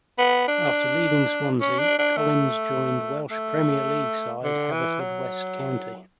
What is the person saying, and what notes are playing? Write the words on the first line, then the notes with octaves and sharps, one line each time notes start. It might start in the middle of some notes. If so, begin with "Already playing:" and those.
After leaving Swansea, Collins joined Welsh Premier League side Haverfordwest County.
B3
D4
C#4
D4
D4
A3
A3
D3
E3
F#3